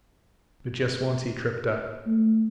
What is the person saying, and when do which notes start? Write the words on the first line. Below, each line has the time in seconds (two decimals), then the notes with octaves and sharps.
But just once he tripped up.
2.07 A3